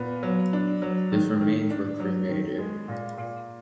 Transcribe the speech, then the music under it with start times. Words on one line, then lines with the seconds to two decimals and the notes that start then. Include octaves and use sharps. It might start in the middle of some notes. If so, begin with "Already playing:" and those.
His remains were cremated.
Already playing: A#2 B3
0.23 F#3
0.53 D4
0.82 F#3
1.12 D#3
1.41 D#3
1.70 D4
2.00 F#3
2.29 D#3
2.59 G#3
2.88 A#2
3.17 A#2